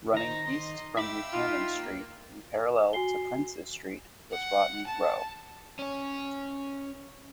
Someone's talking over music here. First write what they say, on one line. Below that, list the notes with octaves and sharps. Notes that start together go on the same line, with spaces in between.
Running east from Buchanan Street and parallel to Prince's Street was Rotten Row.
D#3 D#4 C5 A#5
D#4 D#5 C6
E5 F5 G5 B5 D6 E6
D#4 F4
A#3
F#4 G#5 C7 G7
F#5
A5
C#4 C#5